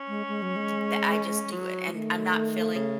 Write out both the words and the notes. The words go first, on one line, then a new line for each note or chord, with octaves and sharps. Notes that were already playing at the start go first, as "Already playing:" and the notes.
th the I just do it and I'm not feeling
Already playing: C#4
G#3
G#3
F#3
G#3
C#4
F#3
G#3
D#3 A3
C#3